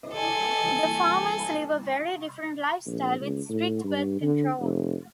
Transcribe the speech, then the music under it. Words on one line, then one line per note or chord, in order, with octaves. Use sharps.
The farmers live a very different lifestyle, with strict birth control.
A4 G#5
A#1
C#2
A2
G2
D3
F1